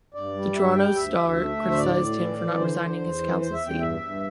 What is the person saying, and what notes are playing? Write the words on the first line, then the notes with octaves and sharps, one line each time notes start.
The "Toronto Star" criticized him for not resigning his council seat.
G2 D5
G3
G2 E5
G3 G5
D2 E5
D2
A3
D2
C5
A2 D5
A2
E3
E3
D3 C5
D3
E2
E3
E2 C5
E5
E2
G5
G2 E5
G2